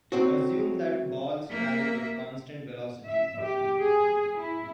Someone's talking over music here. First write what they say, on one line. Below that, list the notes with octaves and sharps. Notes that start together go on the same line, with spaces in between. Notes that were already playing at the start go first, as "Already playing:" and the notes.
Assume that balls travel with constant velocity.
F#3 C4 F#4
A#3 E5
E5
G4
G#4
E4